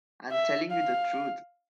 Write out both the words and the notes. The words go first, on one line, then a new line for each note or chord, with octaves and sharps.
I am telling you the truth.
E5
F5